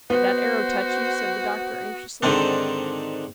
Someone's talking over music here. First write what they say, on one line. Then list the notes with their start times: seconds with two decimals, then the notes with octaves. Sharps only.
"Did that arrow touch you?" said the doctor anxiously.
0.10 B3 F#4 C5
2.23 G#2 D3 D#3 C4 D4